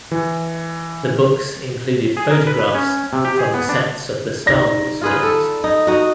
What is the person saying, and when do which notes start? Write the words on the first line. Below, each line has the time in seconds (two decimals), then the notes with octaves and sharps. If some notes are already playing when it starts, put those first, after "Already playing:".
The books included photographs from the sets of the Star Wars films.
0.12 E3
2.17 G#4
2.30 A#4
2.47 B4
2.59 B4
2.75 C#4
3.13 C3
3.25 G4
3.39 G#4
3.54 B3
3.69 D4
4.46 D#4 D5 A#6
5.01 F4 G#4 B4
5.23 A4
5.64 D#4
5.87 D#4 F#4